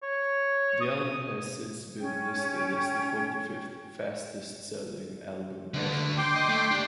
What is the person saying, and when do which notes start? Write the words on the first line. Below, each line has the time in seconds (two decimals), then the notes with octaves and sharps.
The album has since been listed as the forty fifth fastest-selling album ever.
0.03 C#5
0.81 D#6
2.00 C#4 G5
5.74 D2 D3
6.18 G5 C6 D6
6.36 D#5
6.49 A3
6.71 D4 G4